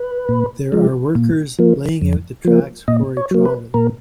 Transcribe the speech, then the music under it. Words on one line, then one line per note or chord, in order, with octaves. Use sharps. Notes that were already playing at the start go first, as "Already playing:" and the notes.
There are workers laying out the tracks for a trolley.
Already playing: B4
A#2
F3 G#3
A#2
F3 A#3
F2
F3 A#3
A#2 D#5
C#5
F#3 A#3
B4
A#2 A#4